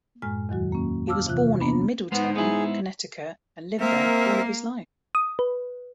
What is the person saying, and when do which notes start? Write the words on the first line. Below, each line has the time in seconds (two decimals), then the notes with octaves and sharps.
He was born in Middletown, Connecticut and lived there all his life.
0.22 F#2 A2 G#3 G#5 F6
0.49 E2 D#3 F#3 F#4
0.72 A#3 C#4
1.07 F5 A5 D6 E6 F6
1.26 C3 E3 F4 F#6
1.60 A#3 B3 C#4 D4
2.12 G#3 B3 D#4 C5
2.36 B3 E4 G#4
3.80 A#3 C4 A#4 E5
5.15 D#6
5.39 B4